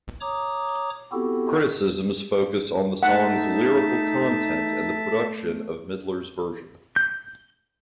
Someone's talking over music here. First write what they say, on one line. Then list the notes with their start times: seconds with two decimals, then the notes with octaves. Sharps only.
Criticisms focus on the song's lyrical content and the production of Midler's version.
0.21 C#5 A#5 D6 D#6
1.12 B3 C4 E4 F#4 G4 A4
3.03 A3 D#4 E5 F#5 A5
6.96 G6